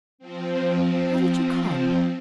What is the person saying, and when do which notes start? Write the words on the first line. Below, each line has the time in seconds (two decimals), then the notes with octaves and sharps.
How did you come?
0.18 F3 C4